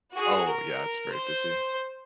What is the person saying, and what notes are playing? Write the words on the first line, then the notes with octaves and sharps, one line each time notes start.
Oh, yeah, it's very busy.
F#4 G#4
A#4
C5